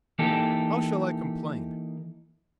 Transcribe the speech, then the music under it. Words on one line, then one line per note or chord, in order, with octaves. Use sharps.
How shall I complain?
E3 A#3 D#4 G4 A4